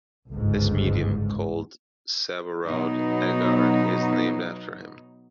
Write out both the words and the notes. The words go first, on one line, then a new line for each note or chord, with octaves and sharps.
This medium, called Sabouraud agar is named after him.
G1 C#2 G#2
B2 F#3 B3 D#4